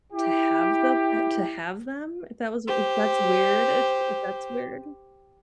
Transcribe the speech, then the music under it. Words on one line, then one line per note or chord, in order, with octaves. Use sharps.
to have them uh, to have them? That was that's weird if if that's weird?
E4 G4
G4 C5